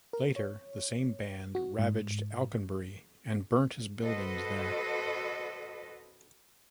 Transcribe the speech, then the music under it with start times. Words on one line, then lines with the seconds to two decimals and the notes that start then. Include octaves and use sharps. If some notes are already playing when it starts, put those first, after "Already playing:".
Later the same band ravaged Alconbury, and burnt his buildings there.
0.13 A#4
0.36 C#5
1.55 F#4
1.79 G#2
4.02 F#4 A4 B4 C5 D#5